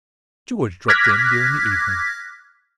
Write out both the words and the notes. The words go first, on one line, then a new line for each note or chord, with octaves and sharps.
George dropped in during the evening.
D6 F6 F#6 G#6 A#6 B6